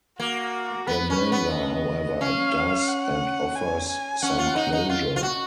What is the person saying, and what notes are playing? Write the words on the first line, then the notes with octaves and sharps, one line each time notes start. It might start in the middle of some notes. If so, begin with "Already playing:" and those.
The manga, however, does and offers some closure.
A#3 F#4
B3 B4
C#4
B3
D#5
C#4 F5
F#5
G#5
G#5
C#4 F#5
F4
D#4
D#4
F4
F4
F#4